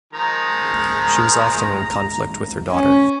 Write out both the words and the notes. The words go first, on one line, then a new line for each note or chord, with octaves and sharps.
She was often in conflict with her daughter.
D#3 F3 G#3 A#5
C#4